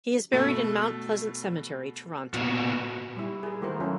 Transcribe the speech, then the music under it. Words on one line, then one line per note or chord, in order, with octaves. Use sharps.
He is buried in Mount Pleasant Cemetery, Toronto.
B2 A3
A#2 B3 F#4
G3 E4
G#4 A#4
D#3 A3 E4 F#4 A#4 C5
F#3 C#4 E4 F4 A4 C#5